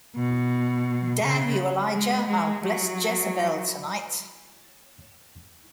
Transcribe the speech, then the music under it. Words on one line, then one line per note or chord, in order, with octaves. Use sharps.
Damn you, Elijah, I'll bless Jezebel tonight.
B2
C#3
G#3
G#3
F#3